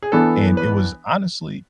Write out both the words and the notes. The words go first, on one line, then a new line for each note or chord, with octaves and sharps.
and it was honestly,
G#4
E3 B3 D4 A4
B4